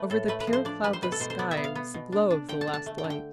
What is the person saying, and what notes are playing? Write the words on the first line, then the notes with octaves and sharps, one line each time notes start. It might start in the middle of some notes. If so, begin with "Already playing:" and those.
Over the pure cloudless sky was the glow of the last light.
Already playing: A3 B4
A2 A4
A3 B4
B4
F3
C5
D4 D5
G3 B4
C5
B2 B4
A4
B2 C5
C5
B3 D5
E5
B3
F5
B3
B2
D4
D4
D3 G5
A5
D4
A5
A3
G5
D3
G5